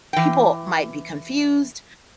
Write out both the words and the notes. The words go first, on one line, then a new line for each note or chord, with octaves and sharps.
people might be confused
E3 G5